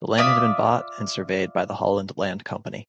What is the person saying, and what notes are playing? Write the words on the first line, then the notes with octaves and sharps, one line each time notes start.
The land had been bought and surveyed by the Holland Land Company.
F4 D5 E5 D#6